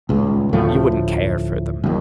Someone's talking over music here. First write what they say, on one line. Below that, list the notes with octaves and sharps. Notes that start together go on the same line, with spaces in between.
You would n't care for them.
D#1 C#2
D2 A2 F3 A3
F#1 D#2